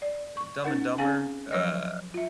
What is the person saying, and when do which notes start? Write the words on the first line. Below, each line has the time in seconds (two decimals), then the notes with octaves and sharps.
Dumb and Dumber? Uh
0.02 D5
0.37 C#6
0.64 C#4 D#4 A#4 F#5
0.98 C4 C#4 G#4 F5 G#5
1.51 F3 F#3 B4 C#5 D#5
2.14 F4 E5